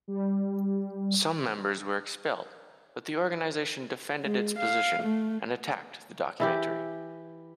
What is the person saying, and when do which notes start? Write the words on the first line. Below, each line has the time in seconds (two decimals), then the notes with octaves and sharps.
Some members were expelled, but the organisation defended its position and attacked the documentary.
0.08 G3
4.23 G#3
4.59 F5
5.03 A3
6.40 E3 E4 G4